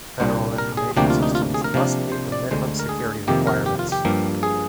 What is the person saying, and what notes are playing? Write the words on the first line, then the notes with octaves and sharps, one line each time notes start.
Federal information systems must meet the minimum security requirements.
C2 A#2 G3 D4 C5
A#4
G#4
D2 C3 F3 A#3 D4 G4
F4
D#4
F4
G#4
A#4
C3 F3 A#3 D4
C5
D5
D2 D3 G#3 C5
A#4
G#4
F2 C3 D#3 A#3 G4
A#4
G4
F4
G4
G2 F3 A#3
G#4